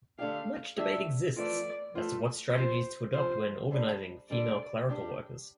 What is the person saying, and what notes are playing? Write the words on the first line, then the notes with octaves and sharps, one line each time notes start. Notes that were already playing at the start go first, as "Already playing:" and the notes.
Much debate exists as to what strategies to adopt when organizing female clerical workers.
D3 A3 D4 G4 F5
D3 A3 D4 G4 E5
E3 A3 C4 F4 D5
E3 A3 C4 F4
C3 F3 C4 C5
C3 F3 C4 C5
D3 G3 D4
D3 G3 D4 D5
G3 D4 G4